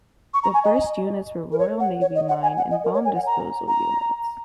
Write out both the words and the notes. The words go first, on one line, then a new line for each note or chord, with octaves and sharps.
The first units were Royal Navy Mine and Bomb Disposal Units.
C#6
A#5
G#5
D#5
A#4
C#5
F#5
C#5
D#5
F#5
G#5
F#5
D#5
A#4
C#5
G#5
F#5
A#5
A#5